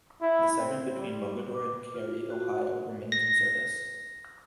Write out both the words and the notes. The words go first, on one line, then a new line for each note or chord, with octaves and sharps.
The segment between Mogadore and Carey, Ohio, remains in service.
E4
C4
G3
D6
F4
F#4
A#6